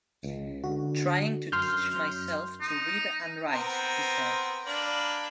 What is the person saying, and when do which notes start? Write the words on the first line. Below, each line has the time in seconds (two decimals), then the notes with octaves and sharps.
"Trying to teach myself to read and write," he said.
0.23 C#2
0.64 D3 F#4
1.52 F#2 C6 F6 G6
2.61 D#4
3.52 B3 C4 A#4
4.67 A#3 D4 B5